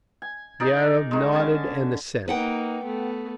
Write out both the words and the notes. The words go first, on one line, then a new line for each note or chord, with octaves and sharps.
The Arab nodded an assent.
G#5
D#4 G#4 A#4 D5
D#3 G#3
D3 C#4 G#5 A5
A#3 D#4 B4 F#5 G5
A3 B3